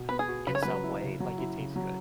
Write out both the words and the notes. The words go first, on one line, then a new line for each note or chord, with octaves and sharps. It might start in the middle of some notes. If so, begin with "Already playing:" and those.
in some way, like, it tastes good.
Already playing: B2
B3 B4
G#4
F#4
C#3 B4
C#5
F#3 B4
E4
C#3
F#3
E4
C#3
F#3